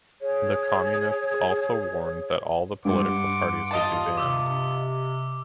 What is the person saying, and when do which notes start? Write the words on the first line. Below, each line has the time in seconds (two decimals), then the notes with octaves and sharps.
The Communists also warned that all the political parties would be banned.
0.21 G#4 C#5
2.85 G2 F#5 C6 D6
3.71 F4 D#5 A5
4.17 C3 D6 E6